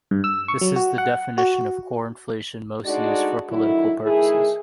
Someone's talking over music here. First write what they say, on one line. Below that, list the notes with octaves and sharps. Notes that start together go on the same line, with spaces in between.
This is the definition of "core inflation" most used for political purposes.
G2
E6
C#6
F#3
F#4
F#5
F#4
D2 G#3 D4 D#4 F#4 D5
D3 D#3 F#3 E4
D#3 A3 E4 G#4